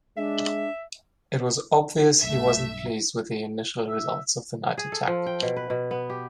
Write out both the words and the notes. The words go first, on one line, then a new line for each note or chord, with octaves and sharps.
It was obvious he wasn't pleased with the initial results of the night attack.
G#3 D4 E5
B1 G2 A3 E5
E5
G#4
A4
F3
G5
B2
B4
B2
B3
G4